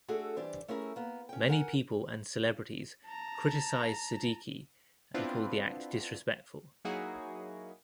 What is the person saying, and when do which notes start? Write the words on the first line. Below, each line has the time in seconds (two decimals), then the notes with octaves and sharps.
Many people and celebrities criticized Siddiqui and called the act disrespectful.
0.08 A3 D4 F#4 G#4 A4
0.36 E3 G3 D4 C5 D5
0.68 A3 C#4 E4 G#4 A#4
0.96 A#3 B3
1.29 C#4 G5
1.48 A#4 F#5 G#5
3.06 A5 A#5
5.14 B3 C4 D4 E4 F4 B4
6.85 F#3 A#3 D#4 E4 F#4 G#4